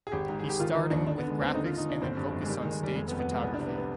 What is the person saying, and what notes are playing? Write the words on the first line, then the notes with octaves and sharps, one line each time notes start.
He starting with graphics and then focused on staged photography.
G#4
G#1 G4
G#2
G#1 G#4
G4
D#3 F4
D#3 D#4
D#2 D4
D3 D4
B3
D3
G#3
D#2 C4
D3 D#4
F4
D3
D#4
D#2 D4
G1 C4
G2
G1
G#3
D#3 G3
G#3
D#3
G#3
D#2 G3
F1 G#3
B3
F2
B3
F1 G#3
C2 B3
D4
C3
B3
B3